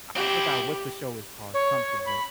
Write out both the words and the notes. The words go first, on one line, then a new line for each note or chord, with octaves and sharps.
I forgot what the show is called, something, but
C4 E4 G4
C#5
B5